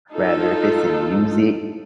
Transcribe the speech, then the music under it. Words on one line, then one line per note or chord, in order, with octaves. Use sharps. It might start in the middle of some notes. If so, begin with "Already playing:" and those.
Rather if it's in music
D#4 F4 A4